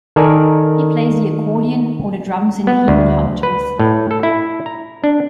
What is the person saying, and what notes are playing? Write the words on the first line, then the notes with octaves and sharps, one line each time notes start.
He plays the accordion or the drums in the Heman Hunters.
D#3 A4 A#4 D5 G#5
B3
D2
B4
A2
A4
E4
A#5
D4